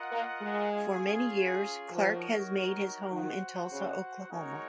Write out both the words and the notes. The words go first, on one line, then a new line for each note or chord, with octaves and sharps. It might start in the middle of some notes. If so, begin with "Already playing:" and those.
For many years Clark has made his home in Tulsa, Oklahoma.
Already playing: F4 A#4 D#5 F#5
A#3
G#3
C#4 F4 G#4
F3 D#4 F#4 A#4 C#5
D#3 F#4 C5 F#5
C#3
G#3 D#4 F#4 A#4 C#5